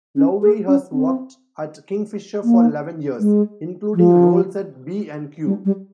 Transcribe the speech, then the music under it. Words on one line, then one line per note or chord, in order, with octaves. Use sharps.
Laury has worked at Kingfisher for eleven years, including roles at B and Q.
C#4
G#4
C#4
C4
A#3
G#3
F3
G3
G3